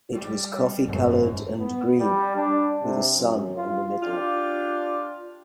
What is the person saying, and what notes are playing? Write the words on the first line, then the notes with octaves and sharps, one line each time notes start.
It was coffee-coloured and green, with a sun in the middle.
G3
G#1 F#2
B3
G3
D4
C3
F#2
F4
D4 F4 G4